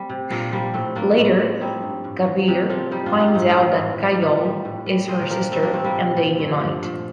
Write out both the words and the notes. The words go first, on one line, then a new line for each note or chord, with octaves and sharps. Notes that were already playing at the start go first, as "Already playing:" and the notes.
Later Kabir finds out that Kajol is her sister and they unite.
Already playing: G3 A3 C4
C3
A#2 A#3 D4
F3 G3 A#3
A2 A3 C4
F3 A#3 D4
A2
F3
G3 C4 D#4
G2
A2
F3
C3 D#4 G4
F3 F4 A4
G3 D#4 G4
D4 F4
G2
D#4
F4
A2 C4 D#4
G3
A2
F3
D#4
A2 D4 F4
G3
A2
G3
A#2 C5 D#5
A#4 D5
F3 G4 A#4
A#3 D4
G3 A3 C4
A#3 D4
C3 A3 C4
G3 A#3
A#2
F3
G2
F3
A#2 A3